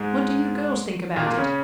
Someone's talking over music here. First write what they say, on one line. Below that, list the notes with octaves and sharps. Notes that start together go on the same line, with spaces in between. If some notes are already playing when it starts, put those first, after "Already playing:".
"What do you girls think about it?"
Already playing: G#2 G#3
A#2 A#3
A#2 A#3
C#3 C#4